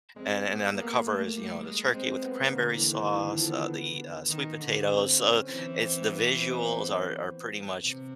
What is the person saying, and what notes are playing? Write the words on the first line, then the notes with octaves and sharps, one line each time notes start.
and and then the cover is, you know, the turkey with the cranberry sauce, uh, the, uh, sweet potatoes. So it's the visuals are are pretty much,
G#3 C4
B3
A#3 B3
A3
G3
G#3
C4
B3
D3 A#3
E3
D#3
D3 E3
F3
B3
D#3
D3
C4
C#4
E3 C4
C4
B3
C4
B3
C4
C3